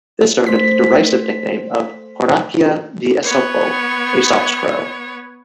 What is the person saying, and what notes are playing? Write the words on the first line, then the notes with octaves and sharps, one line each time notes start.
This earned it the derisive nickname of "Cornacchia di Esopo" Aesop's Crow.
A3 C5 B6
B3 C#5